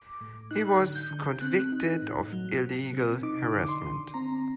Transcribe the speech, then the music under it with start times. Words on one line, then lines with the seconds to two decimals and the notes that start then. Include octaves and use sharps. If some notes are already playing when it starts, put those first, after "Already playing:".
He was convicted of illegal harassment.
Already playing: D6
0.21 A2
0.51 D#4 F#6
0.80 D3
0.95 G6
1.11 D3
1.41 C4 F#6
1.72 D#4
2.02 A2
2.32 F#3
2.63 C3
2.94 C3
3.23 D#4 D6
3.54 D3
3.64 D6
3.69 C6
3.84 D3
4.14 C4 A#5